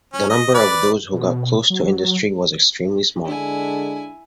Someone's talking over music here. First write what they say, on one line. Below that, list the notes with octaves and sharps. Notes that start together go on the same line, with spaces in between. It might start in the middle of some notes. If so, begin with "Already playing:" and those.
The number of those who got close to industry was extremely small.
C#4
D#5
B4 D5
B2
F#3
D3 G#3 D4 E4 G#5